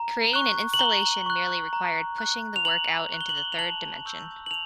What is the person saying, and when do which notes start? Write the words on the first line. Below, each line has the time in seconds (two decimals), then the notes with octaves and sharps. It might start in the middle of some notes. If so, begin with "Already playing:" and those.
Creating an installation merely required pushing the work out into the third dimension.
Already playing: A#5
0.33 C#6 F#6
0.74 F#7
0.79 A#5 G7
1.26 C#6 F#6
1.73 A#5
2.18 C#6 F#6
2.56 F7
2.65 A#5 F#7
3.12 C#6 F#6
3.21 G7
3.29 F#7
3.38 G7
3.52 F7
3.58 A5 F#7
4.05 C#6 E6 G6
4.46 F#7
4.51 A5 F7